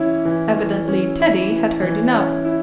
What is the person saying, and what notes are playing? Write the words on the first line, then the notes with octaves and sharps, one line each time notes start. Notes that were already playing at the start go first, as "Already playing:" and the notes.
Evidently Teddy had heard enough.
Already playing: E3 C#4 E4
E3
E3
C#4
E4
E3
E3
C#4
E4